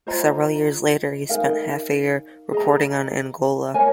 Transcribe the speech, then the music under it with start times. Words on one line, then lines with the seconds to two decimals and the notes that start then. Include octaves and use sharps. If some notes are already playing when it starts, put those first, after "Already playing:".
Several years later he spent half a year reporting on Angola.
0.07 F4 C5 D#5 A#5
1.29 D#4 A#4 F5 G#5
2.52 G#4 D#5 A#5
3.74 A#4 C#5 G#5